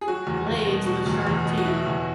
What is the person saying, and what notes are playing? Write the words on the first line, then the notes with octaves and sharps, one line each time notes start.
Blades with sharp teeth.
G#4
F#3 F#4
E2
E2
B2
F#3 F#4
E2
E2
B2
F#4
F#3 E4
E2